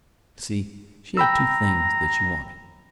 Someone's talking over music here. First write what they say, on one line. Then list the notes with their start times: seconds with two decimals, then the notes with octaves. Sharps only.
You see, she had two things that she wanted.
1.17 G5 A#5 B5 E6